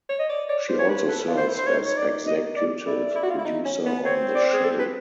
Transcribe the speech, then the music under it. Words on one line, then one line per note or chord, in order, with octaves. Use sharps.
She also serves as executive producer on the show.
C#5
D#5
D5
C#5 D5
C5
C#5
B4
A4 B4
F4
C5
E4
C5
D#4 C#5
C#5
D5
D#5
D5
E4 D5
E4
F#4
F4
E4
D#4
C#4
B3
C4 C#5
D5
G#4
A4
B4